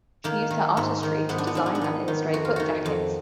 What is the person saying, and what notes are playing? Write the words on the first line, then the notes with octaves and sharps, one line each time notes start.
She used her artistry to design and illustrate book jackets.
D#3 A#3
D#3
G#2
D#3
G#2 B3
D4
B3
G#2 D4
B3
D4
D#3 B3
D#3
F2 F#4
F4
D#3 F#4
F2